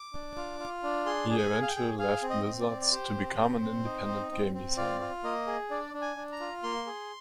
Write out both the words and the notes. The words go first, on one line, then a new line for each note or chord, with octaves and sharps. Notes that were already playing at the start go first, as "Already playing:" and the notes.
He eventually left Wizards to become an independent game designer.
Already playing: D6
D4
F4
F4
D4
G#4 C6
G#4
G#5
G#4
F5
G5
G#4
G#4 F5
C4
D#5
C4
D5
C4
D5
G4 C5
C4
C4
C4
D#4
C4
C4
C4
F4 D5
F4
A#3 D#5
G#4
D4 D5
D4
G#5
D4
A#5
F4
A#3 C6
G#4